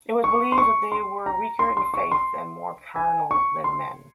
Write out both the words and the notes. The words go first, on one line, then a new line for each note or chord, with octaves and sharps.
It was believed that they were weaker in faith and more carnal than men.
C#6
C6
C#6
C6
A#5
C6
C6
C#6
C6
G#5
C#6
C6